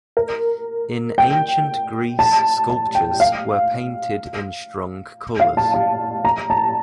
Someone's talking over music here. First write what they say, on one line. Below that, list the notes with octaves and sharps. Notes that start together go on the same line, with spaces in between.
In ancient Greece sculptures were painted in strong colors.
A#4
G5
A5
A5
G5
F5
F5
A5
A5
A#5
A5